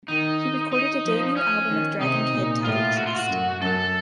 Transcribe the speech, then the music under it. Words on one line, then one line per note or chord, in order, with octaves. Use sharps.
He recorded a debut album with Dragon Kid titled Trust!
D#3 D#4
D#4
F3
C#4
D#3
C3 D#4
A#2
A2 F4
F#4
F4
F#4
F#2
F#2 A4